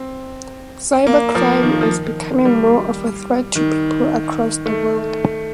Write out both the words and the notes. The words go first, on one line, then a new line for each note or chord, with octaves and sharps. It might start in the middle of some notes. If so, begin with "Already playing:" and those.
Cyber-crime is becoming more of a threat to people across the world.
Already playing: C4
A#3
F3
D#3
F3
D#3
G3
D#3
A3